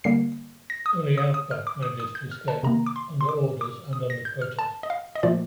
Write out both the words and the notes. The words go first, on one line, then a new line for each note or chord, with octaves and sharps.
Only Outback manages to escape, under orders and under protest.
D3 G3 A#3 C7
A#6
D#6
D#6
D#6
F6
D6
D#6
D#6
G6
F6
A5
C3 D#3 A#3 A#5
D6
C6
C6
D6
D6
D#6
A#6
G6
F6
A5
D#5
F5
D#5
A#2 F3 A3 D5